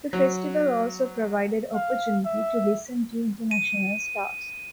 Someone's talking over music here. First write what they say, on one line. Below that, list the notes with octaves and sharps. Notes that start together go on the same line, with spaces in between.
The festival also provided opportunity to listen to international stars.
F#3
F5
E5
D#7